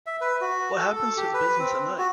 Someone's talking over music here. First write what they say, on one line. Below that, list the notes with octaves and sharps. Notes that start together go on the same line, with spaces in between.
What happens to the business at night?
E5
B4
F#4
A4
A4
G4
B4
C4
F#4